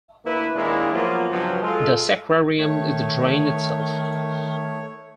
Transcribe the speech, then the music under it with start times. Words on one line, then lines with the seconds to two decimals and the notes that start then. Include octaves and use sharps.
The sacrarium is the drain itself.
0.25 D2 A#3 E4 B4
0.55 D#2 A#2 G#3 A#3 D4 E4
0.93 F3 F#3 A#3 B3 F4
1.31 C#2 G2 F3 F#3
1.63 G#3 F4 A4
2.59 D#3 A3 C#5